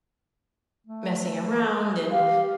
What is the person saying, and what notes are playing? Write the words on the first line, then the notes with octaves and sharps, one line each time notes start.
messing around and
A3
G4 F5